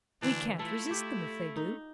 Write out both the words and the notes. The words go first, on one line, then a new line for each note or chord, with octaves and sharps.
We can't resist them, if they do.
D2 E3 D4
A3 E4 F4 A4
G4
D#4